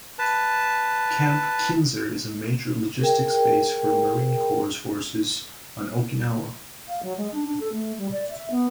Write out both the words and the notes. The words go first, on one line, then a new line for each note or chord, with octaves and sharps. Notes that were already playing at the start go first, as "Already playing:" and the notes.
Camp Kinser is a major logistics base for Marine Corps Forces on Okinawa.
B4 A5
G#4 A#4 G5
F5
F#3
G#3
D4
D4
A4
A3
G3
D5
E5
B3